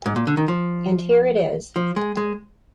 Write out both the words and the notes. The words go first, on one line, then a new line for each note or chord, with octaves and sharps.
And here it is.
G#2
A#2
D3
D#3
F3
F3
G#3
G#3